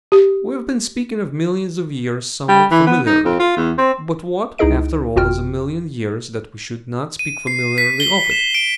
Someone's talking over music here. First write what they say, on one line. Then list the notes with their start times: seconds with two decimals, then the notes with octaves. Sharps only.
We have been speaking of millions of years somewhat familiarly; but what, after all, is a million years that we should not speak familiarly of it?
0.12 G4
2.48 G3
2.71 E3
2.87 B3
3.06 D#4
3.25 F2
3.39 F4
3.56 E2
3.78 C4
4.58 C#2 D#4 E4 G#4 D#5 D7
5.16 G1 F2 F4 F#4 G5 F6
7.19 D#7
7.47 C7
7.78 B6
8.00 G7
8.31 E7
8.55 D7